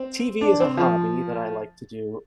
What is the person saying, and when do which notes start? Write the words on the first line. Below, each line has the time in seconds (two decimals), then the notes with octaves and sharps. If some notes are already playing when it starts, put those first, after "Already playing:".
TV is a hobby that I like to do.
Already playing: C4
0.41 D4
0.60 C4
0.77 F3